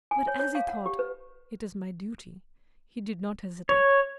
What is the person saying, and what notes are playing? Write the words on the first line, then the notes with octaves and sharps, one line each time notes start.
But as he thought, "It is my duty," he did not hesitate.
G#5
C#5
C#5
F5
F#5
G4
B4
C#5